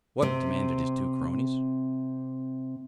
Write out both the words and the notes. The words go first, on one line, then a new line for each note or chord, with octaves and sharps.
"What?" demanded his two cronies.
C3 C4